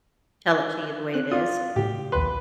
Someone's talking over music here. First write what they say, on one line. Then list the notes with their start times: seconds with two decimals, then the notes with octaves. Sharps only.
tell it to you the way it is.
1.14 C4 F#6
1.31 F4 D5 D#6
1.76 A2 C#3 G4
2.12 A#1 D#2 B4 C6